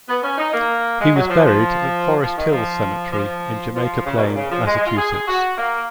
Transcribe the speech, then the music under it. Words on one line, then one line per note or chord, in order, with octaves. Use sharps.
He was buried at Forest Hills Cemetery in Jamaica Plain, Massachusetts.
B3
C#4
D#4
A#3
G#3
F#3
F3
F3
F3
D#3
F3
F3
F3
C#3
B2
A#2
C#3
F3
G#3
G#3
F4
G#4
G#4
F#4
A#3